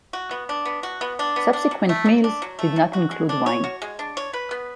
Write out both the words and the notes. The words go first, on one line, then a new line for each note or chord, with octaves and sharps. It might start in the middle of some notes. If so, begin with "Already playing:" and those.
Subsequent meals did not include wine.
F#4
B3
D4
B3
F#4
B3
D4
B3
D4
F#3
A3
F#3
D4
F#3
A3
F#3
F#4
G#3
D4
C#5
F#4
G#3
D4
C#5
B4
B3